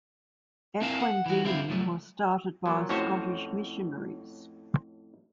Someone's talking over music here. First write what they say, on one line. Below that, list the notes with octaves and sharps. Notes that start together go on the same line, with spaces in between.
Ekwendeni was started by Scottish missionaries.
C4 E4 A#4 F5 G#5 A5
F#5
E3 F#4
D3 G3 C4 E4 F4
C#2 F3 F#3 A3
A#2 F#3
F2 A2 C#4 F#4 C5 C#5